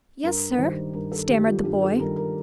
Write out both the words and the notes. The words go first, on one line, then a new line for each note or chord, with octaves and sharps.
'Yes, sir,' stammered the boy.
G2 A#4
D#3 G3 C5
G2 A#4
A4
D#3 G3 G4
F4
G2 G4
A4
D#3 G3 A#4
A#4